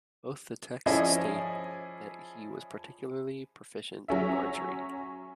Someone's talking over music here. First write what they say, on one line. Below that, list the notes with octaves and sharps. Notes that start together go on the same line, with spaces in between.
Both the texts state that he was particularly proficient in archery.
F3 C#4 E4 G#4 D5 D#5
F#3 C#4 E5